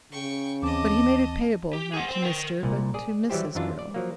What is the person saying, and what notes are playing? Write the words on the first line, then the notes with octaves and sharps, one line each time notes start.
But he made it payable, not to Mr. but to Mrs. Carroll.
C#3 G5 C#6
D#2 E3 C4 D#5 A5 D6
G4
G#4 F#5
C5 G5
A#4 G5
C2 A#2
G#4 D5
E3 F#3 G3 E4 G4 C5
F#2 E3 D4 F4
D5
F3 F#3 A#3